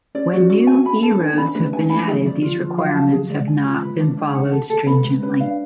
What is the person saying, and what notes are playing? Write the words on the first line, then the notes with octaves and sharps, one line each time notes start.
When new E-roads have been added these requirements have not been followed stringently.
C#4 D5
F#4
F#4
G#5
B5
A4
D4 G#5
B3
C#4 B5
A3 B4
G#3 G#5
A3 B5
F#3 G#4
F3 D5
D3 F4
F3 F4
F#3 F5
A5
G#4
G#3 D5
G#5
F4
B4
D4
D4
F#5
A4
A4
B3 B5
G#3 B4
C#4 B4
D4 F5